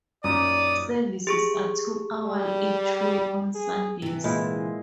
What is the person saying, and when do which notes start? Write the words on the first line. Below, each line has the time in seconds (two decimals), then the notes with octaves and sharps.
Services are two-hourly each way on Sundays.
0.24 F#2 A#2 D#4 D5 D#6
1.27 G4 G#4 C#6
2.26 G3
3.55 G#4
4.02 C3 E3
4.24 A#2 G#3 E4